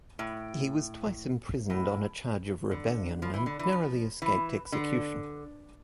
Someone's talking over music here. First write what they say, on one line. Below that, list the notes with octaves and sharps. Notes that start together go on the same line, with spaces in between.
He was twice imprisoned on a charge of rebellion, and narrowly escaped execution.
A2
A2
D3
F3
E3
D3
E3
F3
E3
D3